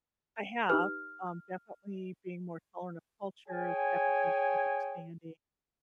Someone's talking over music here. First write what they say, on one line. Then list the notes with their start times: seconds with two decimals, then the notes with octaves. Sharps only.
I have, um, definitely being more tolerant of cultures, definitely understanding
0.70 D#4 G4 B4 F6
3.49 G#4 C#5 G5 G#5